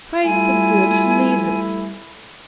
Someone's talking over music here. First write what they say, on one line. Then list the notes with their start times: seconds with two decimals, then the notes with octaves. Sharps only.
"Pray for good leaders."
0.24 G3 A3 E4 F4 G#5